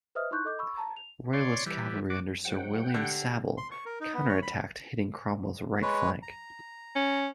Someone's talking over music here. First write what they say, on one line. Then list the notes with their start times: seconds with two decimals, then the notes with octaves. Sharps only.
Royalist cavalry under Sir William Savile counterattacked hitting Cromwell's right flank.
0.15 B4 C5 D#5 E5 D#6 F6
0.31 D#4 E4 C6 C#6 F#6 G6
0.45 A4 D#5 D6 G6
0.59 B5 C#6 E6
0.78 A5 A#5
0.97 F7
1.33 C#5 D5 C6
1.66 E3 G3
2.10 F#4 D6
2.45 G#2 F#3 F#5 G5
2.94 D3 G4
3.57 C6
3.71 C#6
3.86 A#4
4.00 D#4
4.14 B3
4.29 C#5
4.42 B5
5.82 G#3 B4 C#5
6.23 A#5
6.96 C#4